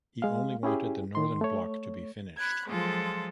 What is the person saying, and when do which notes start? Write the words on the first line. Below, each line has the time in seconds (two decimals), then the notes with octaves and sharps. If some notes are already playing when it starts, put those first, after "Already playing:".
He only wanted the northern block to be finished.
0.22 G#3 F5
0.63 C#4 E4 G4 G#4
1.15 D#3 C6
1.41 A3 C#5
2.38 B5 F#6 G#6
2.68 F3 F#3 G#3 F4 A4